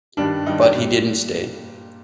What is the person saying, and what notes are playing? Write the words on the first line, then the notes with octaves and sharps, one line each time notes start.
But he didn’t stay.
G2 D#3 G3 D4
G2 D#3 G3 D#4
G4
A#2 G3